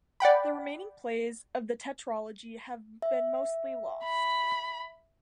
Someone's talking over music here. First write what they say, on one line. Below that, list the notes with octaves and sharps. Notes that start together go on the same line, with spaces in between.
The remaining plays of the tetralogy have been mostly lost.
D5 F#5 G5 B5
E5
B5